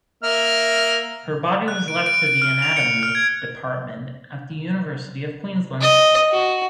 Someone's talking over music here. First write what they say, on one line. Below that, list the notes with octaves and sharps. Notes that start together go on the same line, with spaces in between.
Her body was left to the anatomy department at the University of Queensland.
A#3 E5 F6
F#6
D7
D7
D7
F6
F7
C#7
F6
G#6
D#5
F#4